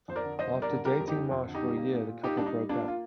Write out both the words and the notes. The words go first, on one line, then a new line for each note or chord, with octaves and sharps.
After dating Marsh for a year, the couple broke up.
F2 C5
A#4 D5
D3
F2 C5 D#5
G3
A#4 D5
D3
G3 G4 A#4
F2
D#4 G4
F2
F2
D3
D#4 G4
G3
A#3
A#2
A#2
A#3 D#4 G4
G3 D4
D#4
G3
A#3 D4 F4
A#3 F4